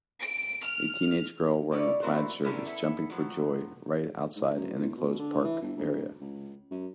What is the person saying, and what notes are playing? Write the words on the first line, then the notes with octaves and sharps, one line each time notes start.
A teenage girl wearing a plaid shirt is jumping for joy right outside an enclosed park area.
D7
F6
G3 D#4 E4 C#5 D5
B3 C4 E4 F#4 A#4 C5
A#2 D3 C#4 D4 E4 A#4
B3 E4 A4
A2 F3 F#3
G#2
F#2
E2
B2
D3
E3
G1
D2
C#2
F#2